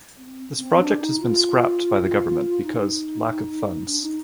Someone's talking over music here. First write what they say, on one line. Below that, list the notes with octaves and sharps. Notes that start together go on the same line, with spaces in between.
This project has been scrapped by the government because lack of funds.
C4
C4
D4
D#4
F4
D#4
D4
D#4